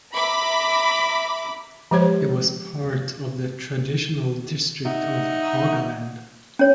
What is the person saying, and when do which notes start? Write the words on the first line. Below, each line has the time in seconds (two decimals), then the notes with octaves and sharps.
It was part of the traditional district of Haugaland.
0.14 E5 A#5 B5 D6
1.91 F3 G#3 G4 C5 C#5
4.84 D#4 E5 F#5
6.59 C#4 C#5